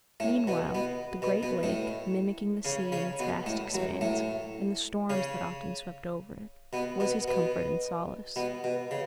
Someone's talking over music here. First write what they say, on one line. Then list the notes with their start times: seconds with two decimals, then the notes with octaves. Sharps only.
Meanwhile, the great lake, mimicking the sea in its vast expanse and the storms that often swept over it, was his comfort and solace.
0.20 A2 A3
0.47 B2 B3
0.75 B2 B3
1.22 B2 B3
1.43 B2 B3
1.63 A2 A3
2.65 C#3 C#4
2.92 C#3 C#4
3.19 B2 B3
3.46 A2 A3
3.74 F#2 F#3
4.01 A2 A3
5.10 C#3 C#4
6.73 B2 B3
7.00 B2 B3
7.28 B2 B3
8.36 B2 B3
8.64 B2
8.91 C#3